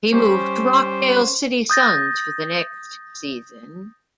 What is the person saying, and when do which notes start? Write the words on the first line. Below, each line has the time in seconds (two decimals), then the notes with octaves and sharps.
He moved to Rockdale City Suns for the next season.
0.13 G3 C#4 C5
1.70 D#6 G6 A6 A#6